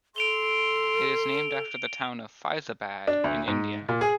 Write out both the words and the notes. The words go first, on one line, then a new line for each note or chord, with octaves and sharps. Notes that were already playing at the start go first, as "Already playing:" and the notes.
It is named after the town of Faizabad in India.
A4 C6 D7 F7 G7
D4
D2
G#2
A#2
G#4